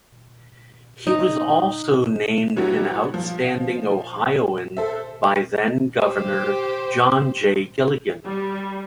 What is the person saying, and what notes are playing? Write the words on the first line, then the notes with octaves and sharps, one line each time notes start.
He was also named an Outstanding Ohioan by then-Governor John J. Gilligan.
D#4
E3 F#3 G3 D4 F#4 G4
F3
A4 C5 E5
G4 C5
G3